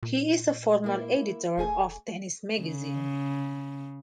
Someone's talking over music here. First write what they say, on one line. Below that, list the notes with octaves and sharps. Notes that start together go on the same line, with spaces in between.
He is a former editor of "Tennis Magazine".
A#2
A#3 E4
E1 A3 G#4 G#5
C#3